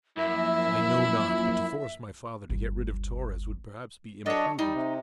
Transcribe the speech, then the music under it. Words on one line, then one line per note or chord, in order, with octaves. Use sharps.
I know not--but to force my father to get rid of Torres would perhaps be imprudent!
F#2 F3 A#3 C#4 E4 E5
G1 D2
F#3 D4 A4 C#5 D#5
G3 D#4
C3